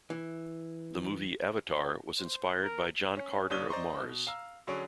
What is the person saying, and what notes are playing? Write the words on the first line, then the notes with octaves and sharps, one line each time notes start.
The movie "Avatar" was inspired by John Carter of Mars.
E3
C5
A#4
C#4
F#1 D4 C#5 D#6 D#7 G7
C5 D5 D#5 A#5 C6 C#6
B2
F5 A#5 E6
D3 F#3 C#4 G#4 C#6 D7